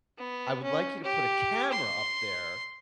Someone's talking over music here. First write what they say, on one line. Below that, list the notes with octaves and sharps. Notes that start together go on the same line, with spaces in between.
I would like you to put a camera up there,
B3
C#4
G4
C6